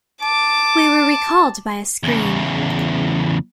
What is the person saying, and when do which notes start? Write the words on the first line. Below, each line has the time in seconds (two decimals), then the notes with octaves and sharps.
We were recalled by a scream.
0.23 A5 D6
2.03 E2 C#3